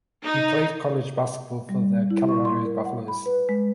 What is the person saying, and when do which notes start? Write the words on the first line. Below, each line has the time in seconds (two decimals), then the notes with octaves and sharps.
He played college basketball for the Colorado Buffaloes.
0.25 D#4
1.69 G3
2.11 E4
2.29 C#6
2.45 C6
2.65 A#4
2.85 F#5
3.08 B5
3.26 B4
3.49 G#3